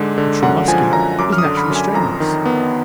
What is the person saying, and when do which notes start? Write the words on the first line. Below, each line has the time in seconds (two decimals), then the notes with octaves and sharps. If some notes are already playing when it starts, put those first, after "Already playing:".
The true Muscular is naturally strenuous.
Already playing: G#2 D3 G#3
0.18 D3
0.42 F#2 F#5
0.68 F3 G#5
0.93 F#2 A#5
1.19 F#2 D6
1.32 F6
1.38 D#6
1.44 D3
1.57 B5
1.70 F#2
1.76 G#5
1.94 F2 A#5
2.20 D#3
2.45 B3